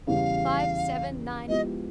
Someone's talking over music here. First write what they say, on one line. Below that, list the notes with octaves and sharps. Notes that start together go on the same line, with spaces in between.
Five, seven, nine.
E2 C#3 E3 G3 F5
F3 G#3 B3 E4 G4 D#5